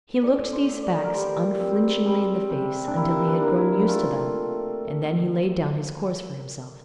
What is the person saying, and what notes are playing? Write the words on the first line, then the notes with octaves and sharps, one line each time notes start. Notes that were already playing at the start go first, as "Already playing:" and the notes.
He looked these facts unflinchingly in the face until he had grown used to them, and then he laid down his course for himself.
A2 D5
C5
A2
D5
A#4
G3 C5
C4
G3
C3
D4
A#3 E4
D4
A#3
E4
A3 F4